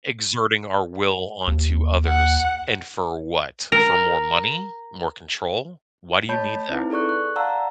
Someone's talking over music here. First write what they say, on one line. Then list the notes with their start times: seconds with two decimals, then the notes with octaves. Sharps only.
Exerting our will onto others, and for what? For more money? More control? Why do you need that?
1.48 D#2
2.06 F#5
3.72 A#4
6.29 A3 C#5 A5 B5 G6
6.70 C4 D#4 E4 B4
6.90 G#4 A4 D5 C#6 F#6
7.09 F#6
7.36 D5 F5 F#5 A5 A#5 E6